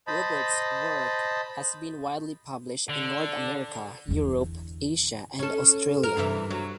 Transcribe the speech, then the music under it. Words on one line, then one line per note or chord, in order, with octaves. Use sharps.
Robert's work has been widely published in North America, Europe, Asia and Australia.
C5 D#5 A5 B5
D3
E2 D3
C#4 A4
A#4
G2 C3 E3
F#3